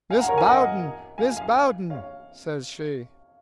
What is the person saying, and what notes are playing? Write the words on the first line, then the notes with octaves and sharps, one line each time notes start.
'Mis' Bowden, Mis' Bowden!' says she.
F5 G#5
F#5 A#5
A#4 C#5
F5 G#5
D#5 F#5
F5 G#5
F5 G#5
C#5 F5